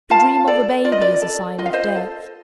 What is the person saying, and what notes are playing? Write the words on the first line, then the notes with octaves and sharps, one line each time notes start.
To dream of a baby is a sign of death.
F4 F5 A5
A4 D5
F4 D5
D#5
D5
A4
F4 D#5
F5
C5 D#5
A4